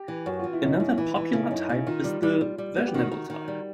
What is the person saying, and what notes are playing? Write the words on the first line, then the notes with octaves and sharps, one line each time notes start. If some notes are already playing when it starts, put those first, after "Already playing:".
Another popular type is the versionable type.
Already playing: G4
E3
F#2 F#4
E3 F4
E4
F#2 D#4
F#2 E4
E3
E3
C#3 E4
D#4
F#2 E4
C#3
D#3 F4
G3
G3
G3
G3
B3
G4
D#3 F#4
D#3
D#3
G3